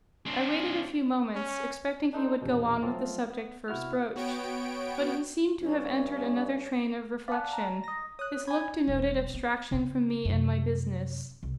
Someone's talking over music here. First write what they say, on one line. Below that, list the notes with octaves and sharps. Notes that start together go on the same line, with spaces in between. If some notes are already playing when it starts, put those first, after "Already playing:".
I waited a few moments, expecting he would go on with the subject first broached: but he seemed to have entered another train of reflection: his look denoted abstraction from me and my business.
C4 D4
C#4
D4 D#4 A4 C5
A#1 E2 B2
F3 F#3 A3 B3 C4 F4
B3
C3 B3 E4 F#4 F6
B3 F#4 C#5 G5 D7
G2 C#4
D5 F5 F#5 G#5 A5
A#5
D#5 A#6
C#5 D#6 F#6
G#5 B5 G#6
E1 G3
B3
C#3 F4
F#2 C3
C2